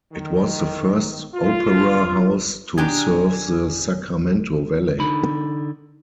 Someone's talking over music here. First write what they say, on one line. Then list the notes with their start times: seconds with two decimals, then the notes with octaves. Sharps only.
It was the first opera house to serve the Sacramento Valley.
0.13 D#3
1.35 F4
2.78 B2 D4 G4 G#4 G#5 A#5
4.99 D3 D#4 B5